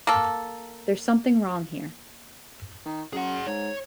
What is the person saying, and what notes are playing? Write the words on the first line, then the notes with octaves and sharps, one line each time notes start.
There's something wrong here.
A#3 A4
D#3
F#2 G#4 F#5
G#2 C#5